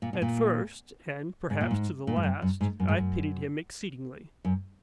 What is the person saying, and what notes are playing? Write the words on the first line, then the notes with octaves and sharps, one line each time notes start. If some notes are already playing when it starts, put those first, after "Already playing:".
At first, and perhaps to the last, I pitied him exceedingly.
A#2
B2
A#2
G#2
A#2
G#2
A#2
G#2
F#2
F#2
G#2
F#2
G#2
F#2
F#2